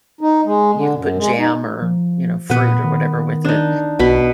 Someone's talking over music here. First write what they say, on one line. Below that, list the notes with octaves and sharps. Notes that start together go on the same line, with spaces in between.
you can put jam or, you know, fruit or whatever with it,
D#4
G#3
D3
F#2
G#3
D#4
F3
A#2 B3 B4
D#3
D4 D#4
B1 B2 B5